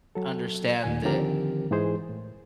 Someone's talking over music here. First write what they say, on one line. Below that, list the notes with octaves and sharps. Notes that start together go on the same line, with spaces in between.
understand that,
F#3 A4
D#2 A#2 G#5
D3 D#3 F3 C4 G4 A#4
G#2 E3 G#3 G#4 C5
A2